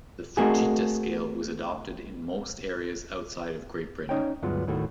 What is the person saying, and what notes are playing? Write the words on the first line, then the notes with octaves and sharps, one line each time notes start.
The Fujita scale was adopted in most areas outside of Great Britain.
A3 A#3 C4 D#4 F#4 G#4
C#4 D#4 C#5 D#5 G5
D2 G2 F#3 G#3 B3 F4
D#2 A2 D#3 A3 F#4